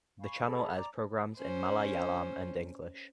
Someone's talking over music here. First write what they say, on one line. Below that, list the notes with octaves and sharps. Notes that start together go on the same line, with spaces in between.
The channel airs programs in Malayalam and English.
F5 G#5 B5 C#6
G#4 A4 D#5 B5
D5 A#5 D6
C#4 C5